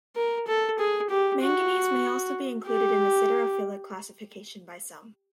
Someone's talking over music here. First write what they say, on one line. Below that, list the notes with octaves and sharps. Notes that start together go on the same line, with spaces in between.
Manganese may also be included in the siderophilic classification by some.
A#4
A4
G#4
G4
F#4
G4